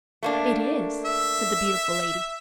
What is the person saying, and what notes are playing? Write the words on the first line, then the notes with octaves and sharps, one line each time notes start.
"It is," said the beautiful lady.
A3 A#3 D4
E5